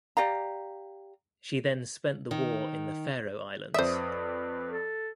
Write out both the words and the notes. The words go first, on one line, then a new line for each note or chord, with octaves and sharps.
She then spent the War in the Faroe Islands.
G4 D5 F5 A#5
D#3
F2 B4 C5 D5 E5 D#6
A4